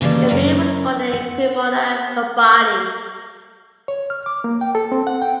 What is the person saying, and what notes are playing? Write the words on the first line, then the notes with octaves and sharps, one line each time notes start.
Cabrini was born in Cremona, Lombardy.
D#2 C#3 E3 G3 A4 D5
F#2 C#4 A#4
F#5
C#5
F6
D6
A#3
G5
A4
C4
F#5
G5